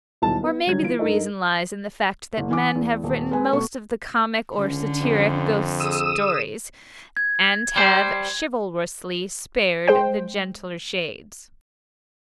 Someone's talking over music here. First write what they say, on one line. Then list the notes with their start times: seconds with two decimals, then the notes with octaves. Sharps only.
Or maybe the reason lies in the fact that men have written most of the comic or satiric ghost stories, and have chivalrously spared the gentler shades.
0.22 D#1 B1 E4 A5
0.43 B3
0.66 D3 F#3 G3 G#6
0.83 E3 F4 D7
0.99 G2 D#4 A4 A#4 D#5
2.37 F#1
2.51 E3 D6
2.75 E2
3.04 D#1
3.31 G#3 B4 G#5
3.53 B2 A3 C#6
4.57 C#2 D3 C#4
5.01 F2
5.80 G#4 D#6 E6
7.17 G#6
7.76 G3 C5
9.88 G#3 C5 G5